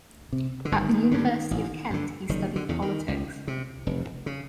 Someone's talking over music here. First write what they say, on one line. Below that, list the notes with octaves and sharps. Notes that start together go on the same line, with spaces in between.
At the University of Kent he studied Politics.
C3
D3
G1 D#3
G2 D3
A1
G2 D3
F#1 D#3
D3
E2 C#3
D#3
C#2
C3
F1
C#3